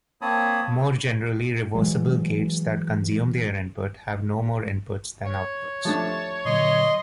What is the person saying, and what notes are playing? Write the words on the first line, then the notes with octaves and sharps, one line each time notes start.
More generally, reversible gates that consume their input have no more inputs than outputs.
A#3 C4 C#5 A5 B5 D#6
E3 F#3 G#3
C#5
F3 A3 D4 A5
A#2 D3 F#3 D#5 C6